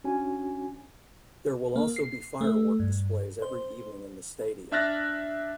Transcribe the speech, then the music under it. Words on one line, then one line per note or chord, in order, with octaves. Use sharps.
There will also be firework displays every evening in the stadium.
C#4 D4 F#4 G#5
A#3
C7
A3
G2
C5
D4 E5 F6 F#6 A6 A#6